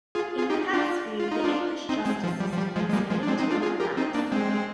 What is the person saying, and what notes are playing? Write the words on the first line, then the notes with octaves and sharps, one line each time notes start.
In Catt's view the English justice system is heading to a collapse.
F4 G#4
F4 G#4
D#4 G4
D4 F4
F4
D#4
D4 F4
C4 D#4
G#3 C4
F3
G3
F3
G3
F3 G#3
G#3
G3 A#3
F3 G#3
D4
G#3 C4
C4 D#4
D4 F4
F4 G#4
G4 A#4
C4 D#4
A#3 D4
G#3 C4